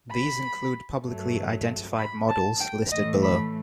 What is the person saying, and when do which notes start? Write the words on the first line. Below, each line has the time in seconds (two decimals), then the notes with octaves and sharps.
These include publicly identified models listed below.
0.10 B5
1.04 G2 F#3 A3
1.98 B5
2.29 A5
2.60 G5
2.91 A2 E3 A3 D#5
3.22 B5